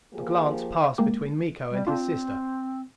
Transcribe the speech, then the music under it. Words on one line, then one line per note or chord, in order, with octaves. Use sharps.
A glance passed between Miko and his sister.
F3 A#3 G4 G#4
G#3 A#3 G4
G3
C4 D4 F4